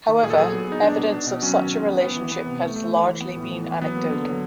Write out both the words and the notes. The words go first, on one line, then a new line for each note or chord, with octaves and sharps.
However, evidence of such a relationship has largely been anecdotal.
D#3
A#2 G#4
A4
F#3 G#4
B3
B3 D#4
B3 D4
B2
B2
B2
F#3 C#4
D#3
D#3
B3
B3
E3
B3
C3
A3
A3
E3
E3
B3
A2
E3
E3
F#3 B3
A#3
D3
F#3